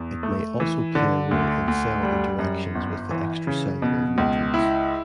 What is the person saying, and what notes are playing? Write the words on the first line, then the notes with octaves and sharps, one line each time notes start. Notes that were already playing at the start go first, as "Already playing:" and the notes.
It may also play a role in cell interactions with the extracellular matrix.
Already playing: E2
A3
E3
D3
D2
D2
G3
F#2
G1
E3
C#3
B2
C#2
E4